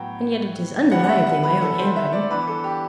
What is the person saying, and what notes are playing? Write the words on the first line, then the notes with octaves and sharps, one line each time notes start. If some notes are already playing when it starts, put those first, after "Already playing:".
And yet it is undeniably my own handwriting.
Already playing: A2 F#3 B3 G5
D3 G3 B3 F#5
F#5
E5
F#5
B4
A4
C5
E5
D5
E3 B3 D4 B4
A4
G4